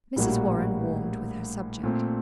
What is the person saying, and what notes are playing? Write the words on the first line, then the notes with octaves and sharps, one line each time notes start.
Mrs. Warren warmed with her subject.
A#1 A2 G3 A#3 F#4
A#2 A3 C4